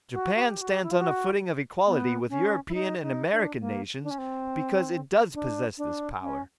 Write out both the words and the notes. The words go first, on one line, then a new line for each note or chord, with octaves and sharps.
Japan stands on a footing of equality with European and American nations because it does possess this power.
F#4
F#4
G4
F#4
G4
E4
F4
F#4
B3
C#4
E4
D#4
D#4
D4
A#3
D4
C#4
C4
D4
D4
C#4